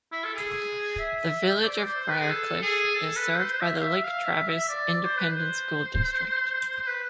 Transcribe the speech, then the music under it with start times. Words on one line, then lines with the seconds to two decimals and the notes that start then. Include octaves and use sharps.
The Village of Briarcliff is served by the Lake Travis Independent School District.
0.12 E4
0.24 A4
0.34 G#4
0.99 E5
1.57 C5
1.64 D5
1.86 C5
2.02 C5
2.08 B4
2.20 G#4
2.30 A4
2.62 G#4
2.95 A4
3.16 B4
3.38 C5
3.61 E5
3.76 F5
3.82 E5
4.04 F5
4.25 E5
4.47 E5
4.69 D5
4.91 D5
5.04 C5
5.18 B4
5.31 C5
6.82 C5
6.86 B4